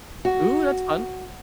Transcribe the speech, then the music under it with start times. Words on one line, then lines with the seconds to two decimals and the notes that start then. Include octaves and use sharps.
Ooh, that's fun.
0.25 F#4